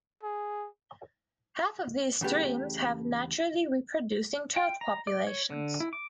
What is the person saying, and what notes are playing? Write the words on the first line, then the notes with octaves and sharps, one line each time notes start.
Half of these streams have naturally reproducing trout populations.
G#4
E2 C#3 A3 G4 B4
G5
A#5
D5
C#5
D3
E4
D6